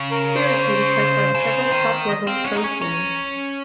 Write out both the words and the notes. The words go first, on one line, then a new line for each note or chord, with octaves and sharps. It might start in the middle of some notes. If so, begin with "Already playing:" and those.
Syracuse has had several top-level pro teams.
Already playing: C#3
A#4
C5
C#3
D#3
D#5
C4 F5
C#4 F#5
D#4
C#4 G#5
C#4 A#5